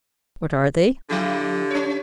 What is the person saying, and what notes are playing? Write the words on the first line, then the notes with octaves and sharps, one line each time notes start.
What are they?
D3 F3 E4 G4
C#4 C#5